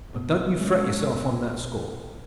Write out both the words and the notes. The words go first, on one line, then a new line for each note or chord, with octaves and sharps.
But don't you fret yourself on that score.
B2
G#3 C#4
B2